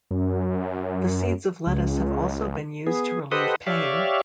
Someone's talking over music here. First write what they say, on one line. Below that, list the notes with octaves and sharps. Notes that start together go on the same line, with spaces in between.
The seeds of lettuce have also been used to relieve pain.
F#2
C#2
B3 G#4
G4 A4 B4 C5 D#5 F#5
G4 C#5 D5 E5 F5